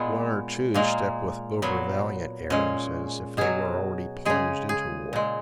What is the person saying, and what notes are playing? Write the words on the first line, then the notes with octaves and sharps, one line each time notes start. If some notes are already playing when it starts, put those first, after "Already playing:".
One or two stepped with overvaliant airs as if they were already plunged into war.
Already playing: A#2 G#3 B3
A#2 G#3 A#3
A#2 F#3 B3
A#2 G#3 C#4
B2 F#3 G#4
C#3 G#3 G#4
G#4
A#2 G#3